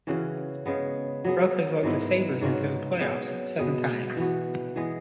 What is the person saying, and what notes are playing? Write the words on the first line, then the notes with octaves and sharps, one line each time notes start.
Ruff has led the Sabres into the playoffs seven times.
C#3 E3 C#4 F#4
C#3 G#3 B3
F#3 B3 G#4
G#2 G#3 B3 E4
G#2 G#3 C#4 F#4
F#3 B3 G#4
B2 B3 G#4
E3 B3 F#4
E3 G#3 B3 G#4